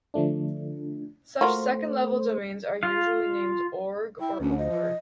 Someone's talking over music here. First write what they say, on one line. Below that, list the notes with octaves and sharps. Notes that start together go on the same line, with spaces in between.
Such second-level domains are usually named "org" or "or".
D3 F3 A3 D4
A3 A#3 F4 F#4 C5
F4 F5
E4 G5
D2 C#4
D#5
F3